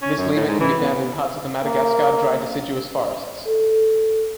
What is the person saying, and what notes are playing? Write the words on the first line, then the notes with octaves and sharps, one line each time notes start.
This lemur can be found in parts of the Madagascar dry deciduous forests.
C#4
F#2
A2
G#2
E3
B3
A#3
A4